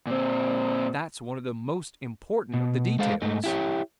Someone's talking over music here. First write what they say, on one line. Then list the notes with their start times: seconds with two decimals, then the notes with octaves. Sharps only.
That's one of the most important of the details.
0.07 A#2 C4
2.54 B2
2.99 G#3 A4 C5 F5
3.22 G#2 A3 D#4
3.44 E4 G4 C#5